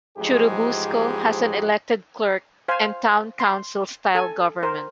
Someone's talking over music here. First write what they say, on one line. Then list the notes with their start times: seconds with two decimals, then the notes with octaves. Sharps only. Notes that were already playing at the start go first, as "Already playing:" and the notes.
Churubusco has an elected clerk and town council-style government.
0.17 A1 G#2 F3 G#3 G4 G#4
2.68 C5 F5 G#5
3.40 C6
4.15 A4 G#5
4.63 A#4 C5